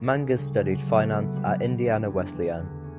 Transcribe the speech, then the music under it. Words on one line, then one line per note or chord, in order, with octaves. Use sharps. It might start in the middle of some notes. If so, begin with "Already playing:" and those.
Mangas studied finance at Indiana Wesleyan.
Already playing: D2
C#3
G3
F#3
A3
B3
G3
G3
D4
E2
E2
D3
C#4